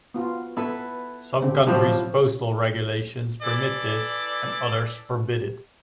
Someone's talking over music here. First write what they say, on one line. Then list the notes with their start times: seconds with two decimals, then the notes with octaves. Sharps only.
Some countries' postal regulations permit this and others forbid it.
0.14 B3 F4 F#4
0.57 B3 E4 A4 B4
1.41 D3 C4 G4
1.67 A2 C3 F3 F#3 G4
3.42 E3 A4 D5